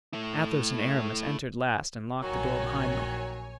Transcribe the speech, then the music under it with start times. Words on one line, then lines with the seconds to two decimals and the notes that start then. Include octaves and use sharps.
Athos and Aramis entered last and locked the door behind them.
0.13 A3 E4
2.22 A#1 D#3 F#3 C#5 G#5